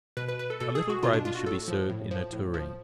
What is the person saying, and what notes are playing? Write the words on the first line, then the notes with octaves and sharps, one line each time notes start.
A little gravy should be served in a tureen.
B2 B4
B4
B4
A4
B2 A4
G#4
F#4
B2 F4
D4
F4
F#4
A2 A4
F3
A2
F3
A2
F3